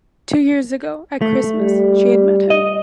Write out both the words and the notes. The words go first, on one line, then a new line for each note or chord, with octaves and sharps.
Two years ago, at Christmas, she had met him.
A3
G3
D#5